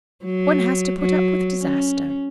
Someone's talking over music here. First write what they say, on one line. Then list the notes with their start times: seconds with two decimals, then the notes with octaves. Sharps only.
One has to put up with disaster.
0.24 F#3
1.01 F#3
1.60 C#4